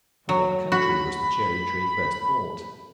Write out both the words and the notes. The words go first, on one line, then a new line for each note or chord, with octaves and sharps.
From what country was the Cherry Tree first brought?
F#3
F#4 B5